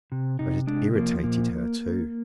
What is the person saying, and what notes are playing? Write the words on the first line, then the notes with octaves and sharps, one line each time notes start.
But it irritated her too.
C3
C3 D#4
G#3 D4
F3 A#3
A#2 A#3